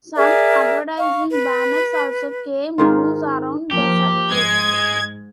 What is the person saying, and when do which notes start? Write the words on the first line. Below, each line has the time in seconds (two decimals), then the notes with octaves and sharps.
Some advertising banners also came loose around the circuit.
0.15 G#4 A#4 D5 E5
0.99 F5 C#6
1.29 B4
2.78 G#2 D#3 F4
3.71 F3 A#3 G4
4.31 G#2 G#3 G#6